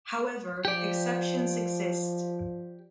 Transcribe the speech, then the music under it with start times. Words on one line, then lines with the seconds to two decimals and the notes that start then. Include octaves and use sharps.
However, exceptions exist.
0.65 F3 G4 D5